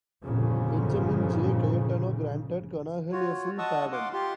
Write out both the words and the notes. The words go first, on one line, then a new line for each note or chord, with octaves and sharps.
Benjamin J. Cayetano granted Kanahele a full pardon.
G1 F2 A#2 C#3
F4 F#4 C#5
D#5 F#5 A5 C#6 D#6 E6
F5 F#5 C6 D6
F4 G4 C6